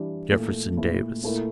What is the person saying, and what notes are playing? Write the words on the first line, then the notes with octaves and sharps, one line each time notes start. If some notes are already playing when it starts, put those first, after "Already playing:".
"Jefferson Davis."
Already playing: E3 G3 D4
A#2 A3 E4
A#2 A3 E4
A#2 A3 E4 A#4